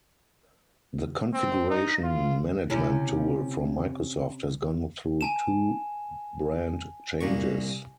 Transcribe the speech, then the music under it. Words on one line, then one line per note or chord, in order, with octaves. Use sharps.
The Configuration Management tool from Microsoft has gone through two brand changes.
C4
D#4
F4
C3 C#4 E4
G#5 A5 E7
C2 A#2 C#6